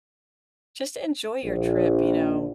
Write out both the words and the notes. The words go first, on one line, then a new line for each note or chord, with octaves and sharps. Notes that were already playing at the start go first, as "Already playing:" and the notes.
just enjoy your trip, you know?
A#1